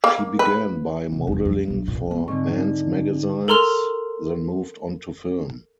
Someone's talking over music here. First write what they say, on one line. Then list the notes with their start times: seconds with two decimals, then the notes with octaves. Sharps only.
She began by modelling for men's magazines, then moved on to film.
0.04 A#3
0.39 B4
1.12 F1
1.27 E1
1.45 F2
1.68 B1 D4
1.88 A#2
2.07 F#3 B3
2.28 G#2 D3 G3 C4 C#6
3.48 A4 A#4 A#5 C6 F6 F7